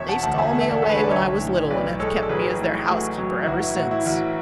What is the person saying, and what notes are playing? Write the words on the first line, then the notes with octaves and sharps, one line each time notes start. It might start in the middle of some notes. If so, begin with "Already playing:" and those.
'They stole me away when I was little, and have kept me as their housekeeper ever since.'
Already playing: E1 C#5 E5
F#5 A5
D2 F#5 A5
E5 G#5
A3 F#5
E5
D5 F#5
D3 A4
B4
C#5
D5
B1 C#5 E5
A2
B1 B4 D5
G#3 A4 C#5
A4
A1 G#4 B4
A2
A3 F#4
F#3
E4
A1 F#4
E4
A2 F#4
E4
A1 F#4